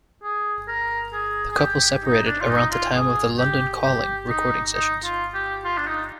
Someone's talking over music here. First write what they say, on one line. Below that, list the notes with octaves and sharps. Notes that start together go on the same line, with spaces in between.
The couple separated around the time of the "London Calling" recording sessions.
G#4
A#4
G#4
G#4
G4
D#4
D4
F4
D#4
F4
G#4
G4
G4
D#4
D#4
F4
G4
F4
D4
D#4